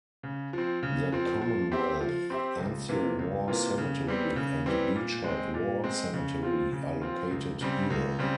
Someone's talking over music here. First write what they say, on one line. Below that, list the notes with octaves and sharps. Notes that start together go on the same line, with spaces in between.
The Commonwealth Anzio War Cemetery and Beach Head War Cemetery are located here.
C#3
F3 C4
C#3
F3 C4
F3
C4 G4 C5 E5
F3
C4 G4 C5 E5
C#2
C3 E3 A#3 F4
C#2
C3 E3 A#3 F4
C#3
E3 G3 C4
C#3
E3 G3 C4
A#2
G#3 C4
A#2
G#3 C4
C#3
F3 C4 F4
C#3
F3 C4 F4
C#2
C#3 G3 C4
C#2
C#3 G3 C4